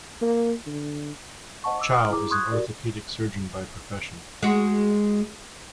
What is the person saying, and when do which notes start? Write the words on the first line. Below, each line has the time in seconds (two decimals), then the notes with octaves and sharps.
Chow is an orthopaedic surgeon by profession.
0.22 A#3
0.67 D3
1.64 C5 D#5 F#5 A5 C#6
1.77 D#5 D6 E6
1.94 G5 D#6 F6
2.10 E4 G#4 A#5 D6
2.31 C6 C#6 D#6 F#6 G#6
2.51 F#4 G4 A#4 D5
4.43 G#3 F#4